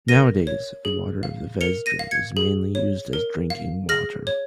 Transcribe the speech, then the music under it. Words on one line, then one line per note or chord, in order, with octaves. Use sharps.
Nowadays, the water of the Vesdre is mainly used as drinking water.
A#4 A#6 D#7
C#5
G#4
F5
A#4 C#7 F7
A#6 D#7
F5
G#6 C#7
G#4
C#5
A#4
F5
G#4 F6 A#6
C#5